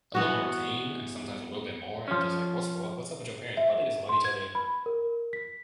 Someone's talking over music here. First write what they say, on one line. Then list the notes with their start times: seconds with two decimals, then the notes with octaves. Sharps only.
a little more tame and sometimes a little bit more, and I'm just like, "What's wr what's up with your parents?" "Oh, they just love each other,"
0.15 E3 B3 F#4
2.08 F3 C#4
3.57 E5
4.09 C6
4.25 G#6
4.55 B5
4.86 A#4
5.33 B6